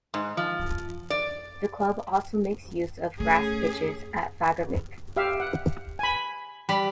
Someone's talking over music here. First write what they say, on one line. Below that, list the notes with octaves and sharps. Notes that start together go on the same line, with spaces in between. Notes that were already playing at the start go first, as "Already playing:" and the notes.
The club also makes use of grass pitches at Fagervik.
G#2
F3
D5
A3 C#4 G#4
G4 E5 F5
F#5
G#5 B5
G3 B5